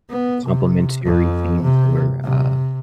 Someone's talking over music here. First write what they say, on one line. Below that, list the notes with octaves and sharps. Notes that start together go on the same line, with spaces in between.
complimentary things or, uh,
B3
C3
F2
C3
C3